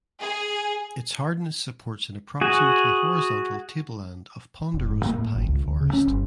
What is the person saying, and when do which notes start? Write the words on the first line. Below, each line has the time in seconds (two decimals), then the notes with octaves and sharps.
Its hardness supports an approximately horizontal tableland of Ponderosa Pine forest.
0.20 G#4
2.41 F#4 G#4
4.74 F1
4.88 G#2
5.06 A#3
5.18 A2
5.36 G#1
5.48 C#2
5.64 D2
5.81 C#3
5.93 C#4
6.07 G1